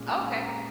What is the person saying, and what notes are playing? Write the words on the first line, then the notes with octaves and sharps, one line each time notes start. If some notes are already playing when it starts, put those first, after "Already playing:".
Oh, okay.
Already playing: A#2 G#3 C#4
G#5
G#5
A#5